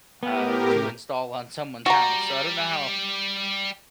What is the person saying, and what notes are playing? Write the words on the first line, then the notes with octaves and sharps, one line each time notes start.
um, to install on someone's house, so, I don't know how,
A2 B3 G4 A#4
G3 F#4 A#5